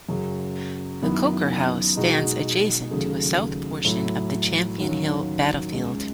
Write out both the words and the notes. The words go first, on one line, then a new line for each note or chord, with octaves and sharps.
The Coker House stands adjacent to a south portion of the Champion Hill battlefield.
F#2 C#3 F#3
F#2 D#3 F#3 B3 E4
B2 G#3 D#4 F#4
D#2 C#3 F#3 A3
A2 F#3 A3 E4
D#2 D#3 F#3 C#4 F#4
C#2 C#3 G#3